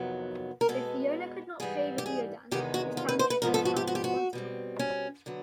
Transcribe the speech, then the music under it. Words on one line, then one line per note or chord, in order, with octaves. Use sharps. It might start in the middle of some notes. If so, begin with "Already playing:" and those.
If the owner could not pay the deodand, his township was held responsible.
Already playing: F2 C3 D#3 F#3 B3
A#4
B2 G#3 B3 A4
G#2 E3 G3 G#4
G4
G#4
E2 C3 D#3 G#3 B3 G4
F#4
F4
B4
C5
B4
G#2 F3 G#3 B3 A#4
A4
F#4
G4
F#4
G4
F#4
B2 G3 C4
C#4
D3 F#3 B3